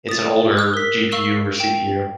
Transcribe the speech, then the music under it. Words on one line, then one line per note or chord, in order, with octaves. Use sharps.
it's an older GPU or CPU.
D#6 A6
D#6 E6 F#6
A#4 B6
F5 C#6 E6 G7
G5 D7